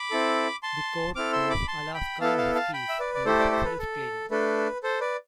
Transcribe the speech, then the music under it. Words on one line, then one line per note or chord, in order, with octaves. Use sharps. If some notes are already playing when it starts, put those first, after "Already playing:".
The coat of Alaskan Huskies is self-cleaning.
Already playing: B5 D6
C4 E4 A4
A5 C6
C4 E4 A4 D6 F6
C6 E6
B5 D6
A5 C6
G5 B5
B3 E4 A4 F5 A5
F5 A5
F5 A5
G5 B5
E5
B4 D5
D5
A3 E4 G4 A4 C5
D5
C5
B4
A4
A3 D4 A4 B4
A4 C5
B4 D5